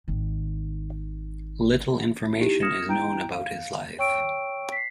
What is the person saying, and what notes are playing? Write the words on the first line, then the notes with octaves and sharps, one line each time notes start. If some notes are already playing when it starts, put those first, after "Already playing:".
Little information is known about his life.
G#1 D#3
D#4 E4 G4
D#6 F6 G#6 A#6 C#7 E7
E4 G5 A#5 G6 D7
F5
C#5 G5 C#6 E6 D7
B6 C7